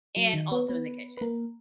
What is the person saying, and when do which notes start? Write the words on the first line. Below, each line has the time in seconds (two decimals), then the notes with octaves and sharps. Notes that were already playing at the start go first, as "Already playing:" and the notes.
and also in the kitchen.
0.16 F#3 F#4
0.33 D#3 D#4
0.51 B3 B4
0.68 B3 B4
1.17 B4
1.21 A#3 A#4